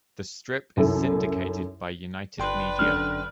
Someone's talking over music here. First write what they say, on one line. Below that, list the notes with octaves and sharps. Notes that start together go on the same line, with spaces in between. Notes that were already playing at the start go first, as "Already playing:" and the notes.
The strip is syndicated by United Media.
C2 F#2 D#3 E4 A4
G1 D4 B4 G5 C6
F#2 D3 F6